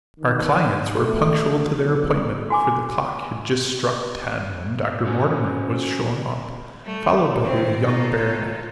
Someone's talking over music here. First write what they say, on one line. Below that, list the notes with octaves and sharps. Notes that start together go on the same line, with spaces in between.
Our clients were punctual to their appointment, for the clock had just struck ten when Dr. Mortimer was shown up, followed by the young baronet.
D#3
A3
B1
F#4 G#5 D6
C#4 F#4 A4 C5 G#5
G3 A3
D#3 C4
D#4 F4 A4